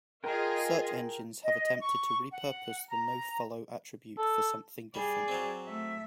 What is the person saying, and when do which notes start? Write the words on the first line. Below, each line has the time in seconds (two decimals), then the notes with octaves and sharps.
Search engines have attempted to repurpose the nofollow attribute for something different.
0.24 F4 G#4 A#4 D#5 G5
1.45 D#5
1.79 C#6
2.31 F#5
2.88 A#5
4.18 A4
4.95 G3 G#4 D5
5.28 F#3 C4
5.66 A3 E5